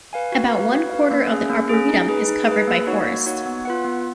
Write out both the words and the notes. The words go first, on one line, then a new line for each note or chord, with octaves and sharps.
About one-quarter of the Arboretum is covered by forest.
B4 F5 G#5
F#4
B4 F5
F#4
B4 F5
A#3
C#4 G#4
A#3
C#4 G#4
D#4
G#4 B4
D#4
G#4 B4
A#3
D#4 F#4 C#5 F#5
A#3
D#4 F#4 C#5 F#5
B3
F4 B4 F#5
B3